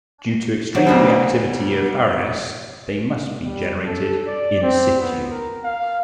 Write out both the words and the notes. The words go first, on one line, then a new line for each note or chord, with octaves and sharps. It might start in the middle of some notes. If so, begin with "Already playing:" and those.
Due to extreme reactivity of arynes they must be generated "in situ".
C3 F#3 D5
D2 B2 C4 D#4 A4
G3
A4
D5
C4
B3
A#4
F5